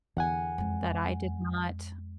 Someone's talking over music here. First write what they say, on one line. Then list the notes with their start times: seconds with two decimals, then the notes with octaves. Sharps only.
That I did not,
0.17 E2 D3 F#5 G#5
0.58 F2 G#3